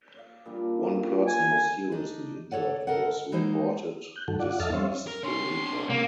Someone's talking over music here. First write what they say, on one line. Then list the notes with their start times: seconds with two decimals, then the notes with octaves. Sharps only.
One person was seriously injured and was reported deceased later.
0.14 C#5 D5 F5
0.46 A#2 G3 D4
0.96 A#2 D3 D#3
1.27 G#5
1.92 D4 D#4
2.52 A4 C#5 D5 F#5
2.87 A4 A#4 D#5 F#5
3.32 E3 G#3 A#3 D#4 C5
4.16 F#6 G6
4.28 G2 D#3 F#4 A4
4.40 F4 D5 F#5
4.60 F2 A4 D#5 E5 F6 A6
4.73 G3 D4 C5 C#5 E5 F5
5.07 A#4
5.24 D4 C#5 C6
5.90 C3 A#3 C#4